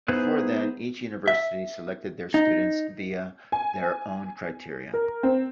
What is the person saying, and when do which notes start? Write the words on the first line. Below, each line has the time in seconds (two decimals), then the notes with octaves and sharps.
Before then each university selected their students via their own criteria.
0.08 B3 D#4 E4 G#4 B4 C5
1.28 E5
2.34 D#4
3.52 G#5
4.94 A#4
5.23 C4